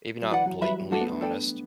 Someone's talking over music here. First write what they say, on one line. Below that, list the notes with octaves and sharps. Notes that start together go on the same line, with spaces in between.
maybe not blatantly honest.
F#3
E3 B4 D5 F#5
F#3
G3 B4 E5 B5
G3
A3 D4 F#4 A4
B3
D4
A4 D5 G5